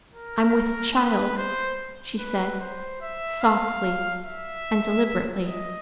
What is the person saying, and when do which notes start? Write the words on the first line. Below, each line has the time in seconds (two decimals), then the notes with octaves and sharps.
"I'm with child," she said, softly and deliberately.
0.14 A#4
0.96 B4
1.37 C5
2.19 B4
2.60 C5
3.02 E5
3.41 F5
4.24 E5
5.47 D#5